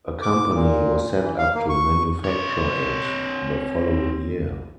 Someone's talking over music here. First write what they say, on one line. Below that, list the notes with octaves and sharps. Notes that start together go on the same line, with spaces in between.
A company was set up to manufacture it the following year.
D6
A#2
E3
F5
A#3
C#6
C4 C#5